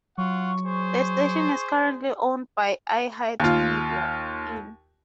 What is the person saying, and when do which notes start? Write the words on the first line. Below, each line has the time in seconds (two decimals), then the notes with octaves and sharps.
The station is currently owned by iHeartMedia, In.
0.18 F#3 F4 F#5 C#6
0.65 G#4 C5
3.40 D#2 F4